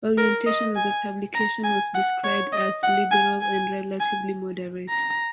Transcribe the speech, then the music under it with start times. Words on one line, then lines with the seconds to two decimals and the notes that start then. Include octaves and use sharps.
Orientation of the publication was described as "liberal" and "relatively moderate".
0.18 A#4
0.47 D#5
0.76 G#5
1.35 A#5
1.64 G#5
1.95 F#5
2.24 C#5
2.53 D#5
2.83 F#5
3.11 G#5
3.41 G#5
4.00 G#5
4.89 A#5